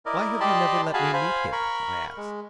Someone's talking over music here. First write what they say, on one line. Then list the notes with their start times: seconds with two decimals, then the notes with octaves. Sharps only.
"Why have you never let me meet him?" I asked.
0.06 E4 A#4 D5 D#5
0.40 G4 D5 D#5 A5 B5 C6
0.94 F#4 G#4 F5 G#5 A5 B5
1.13 C5 F5 G#5 B5
1.52 A#4 B5 C#6
2.17 G#3